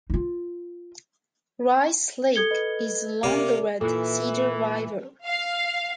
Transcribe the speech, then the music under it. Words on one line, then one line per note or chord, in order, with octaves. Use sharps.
Rice Lake is along the Red Cedar River.
D#4 F4
A4 G#6 C#7 G7
B4 D#5
C3 A#3 A#4 D5 D6
A#2 E3 A4
F5